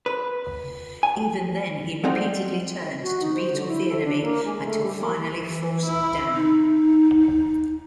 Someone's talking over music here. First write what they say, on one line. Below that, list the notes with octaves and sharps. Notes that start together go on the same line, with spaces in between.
Even then, he repeatedly turned to beat off the enemy until finally forced down.
B4
G#5
F#3 G3 C4 D#4 F#5
F#4
D#4
C5
D3
E4
A4
D4
A#3
G#3
A3
G3
A#3
E3
E4
D#4